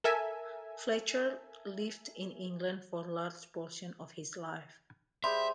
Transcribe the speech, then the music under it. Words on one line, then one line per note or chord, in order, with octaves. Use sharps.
Fletcher lived in England for a large portion of his life.
A4 A#4 E5 G#5
G3 G#4 C5 E5 C6